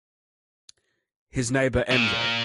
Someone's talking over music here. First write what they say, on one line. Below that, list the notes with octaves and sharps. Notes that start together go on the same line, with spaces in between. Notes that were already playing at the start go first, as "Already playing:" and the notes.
His neighbor M. J.
A#2